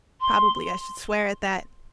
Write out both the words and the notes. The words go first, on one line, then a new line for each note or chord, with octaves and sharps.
Probably I should swear at that.
C6